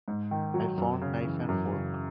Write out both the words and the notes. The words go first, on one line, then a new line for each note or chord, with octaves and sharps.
I found knife and fork.
G#2
D#3
F#3
F#2
C#3
E3
F#2
C#3